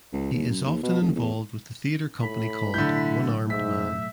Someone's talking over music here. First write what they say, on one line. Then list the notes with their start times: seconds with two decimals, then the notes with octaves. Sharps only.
He is often involved with the theater company called One Armed Man.
0.13 C#2
0.33 D#2
0.49 F#2
0.66 D#2
0.83 B2
1.01 F1
1.16 E2
2.22 A2 B5
2.74 B1 A2 D3 E4 G6
3.50 G#2 E5 B6